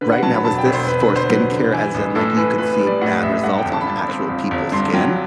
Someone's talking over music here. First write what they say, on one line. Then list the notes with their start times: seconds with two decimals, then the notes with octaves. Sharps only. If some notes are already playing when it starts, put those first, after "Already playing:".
Right now, was this for skincare as in, like, you could see bad results on actual people's skin?
0.01 D3 B4
0.12 F#5
0.23 F#3 A5
0.34 B5
0.44 E1 A5
0.58 G5
0.65 E1
0.73 C5
0.87 E1 B4
1.01 B4
1.08 D3
1.16 C5
1.29 F#3 B4
1.51 D3
1.73 E3
1.94 A1
2.15 A2 A4
2.37 E3 B4
2.58 A2 B4
2.73 B4
2.80 G3
2.87 D5
3.01 A2 F#5
3.22 A1 E5
3.44 G2 F#5
3.58 G5
3.65 G1
3.73 A5
3.81 B5
3.87 G2 A5
4.08 C4 B5
4.29 G1
4.51 G1
4.72 G2 C6
4.93 F#3 G5